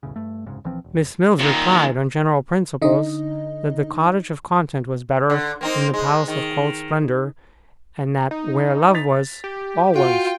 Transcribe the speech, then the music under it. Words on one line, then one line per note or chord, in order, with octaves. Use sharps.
Miss Mills replied, on general principles, that the Cottage of content was better than the Palace of cold splendour, and that where love was, all was.
B1 E2 A2 C#3
G2 A3
F#1 C2 G#2 C#3
A#1 E3 F3 C4
E1
A#2 D#3
D3 D#4 D#5
D3
A#3 C4 D#4
G#3
D#3
D#4
A6 B6 F7
G4
F4 F#4 G5